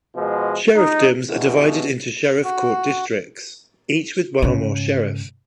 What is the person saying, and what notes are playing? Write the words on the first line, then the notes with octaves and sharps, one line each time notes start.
Sheriffdoms are divided into Sheriff Court Districts, each with one or more sheriff.
B2 F3 G#3
D#4
E2 G2 B2
F#4
G#2 C#3